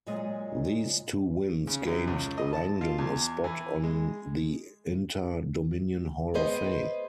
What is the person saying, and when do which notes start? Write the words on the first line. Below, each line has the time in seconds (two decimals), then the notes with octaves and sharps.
These two wins gained Langdon a spot on the Inter Dominion Hall of Fame.
0.06 A#2 F#3 G#3 F4 D#5
1.67 C#3
1.87 F#2
2.07 C#2
2.38 D#5
2.53 A5
2.81 F4
2.98 E2
3.44 E3
3.83 G#3
6.34 B3 G#4 B4 C5 D#5